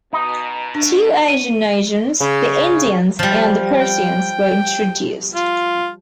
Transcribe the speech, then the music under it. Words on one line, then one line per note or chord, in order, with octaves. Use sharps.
Two Asian nations, the Indians and the Persians, were introduced.
B2 D#4
D4
D#7
C#3
F3 G3
G5
F4